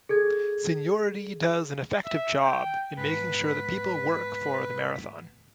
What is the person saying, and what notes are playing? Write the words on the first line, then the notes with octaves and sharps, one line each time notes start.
Seniority does an effective job in making sure that people work for the "marathon".
G#4 A4 G#6
E5
G5
G#2 B3 B4 B6